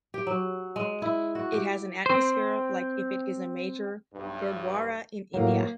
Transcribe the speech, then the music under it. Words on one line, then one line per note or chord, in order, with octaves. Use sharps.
It has an atmosphere like if it is a major Gurdwara in India.
G4
F#3
G#3
E4
F#4
G4
C4 C5
B1 G2
A2 F#3 A#3